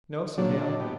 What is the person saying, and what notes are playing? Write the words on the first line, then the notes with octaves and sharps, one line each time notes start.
"No," said Hale.
A#2 D3 F#3 A#3 D4 C#5
F#4 D#5 A5
A2 B3 G4